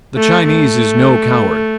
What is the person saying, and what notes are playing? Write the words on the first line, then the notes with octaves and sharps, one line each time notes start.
The Chinese is no coward.
A3
A3